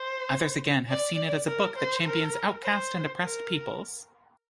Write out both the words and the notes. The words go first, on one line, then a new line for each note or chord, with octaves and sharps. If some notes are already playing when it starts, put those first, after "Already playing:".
Others again have seen it as a book that champions outcast and oppressed peoples.
Already playing: C5
D5
A#4
C5
A#4
C5
A#4